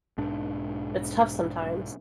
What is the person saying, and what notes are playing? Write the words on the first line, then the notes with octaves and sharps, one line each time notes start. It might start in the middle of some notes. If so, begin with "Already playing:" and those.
It's tough sometimes.
B1 G#2 D4